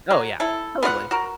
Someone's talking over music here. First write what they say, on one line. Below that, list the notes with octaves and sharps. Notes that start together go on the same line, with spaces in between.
Oh, yeah. Totally.
F#3
E4 A4
B3 F4 D5 F#5
F#4 A#4